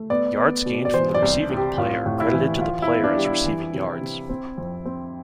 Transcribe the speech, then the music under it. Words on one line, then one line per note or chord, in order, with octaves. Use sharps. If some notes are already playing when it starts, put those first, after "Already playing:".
Yards gained from the receiving play are credited to the player as receiving yards.
Already playing: A3
B3 D5
B3
B2
D5
E3 C5
D5
C2
C3
G4
A2 F4
A2
E4
E3
E3 F4
E4
B3
D4
G3
E4
E3
C3
C3
C4
F2
C4